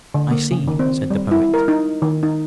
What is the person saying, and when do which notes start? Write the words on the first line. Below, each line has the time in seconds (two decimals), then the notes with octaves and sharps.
"I see," said the Poet.
0.14 D3
0.31 A#3
0.51 C#3
0.68 D#3
0.79 C4
1.10 G3
1.31 E4
1.54 A#4
1.68 D#4
2.02 D#3
2.23 D#4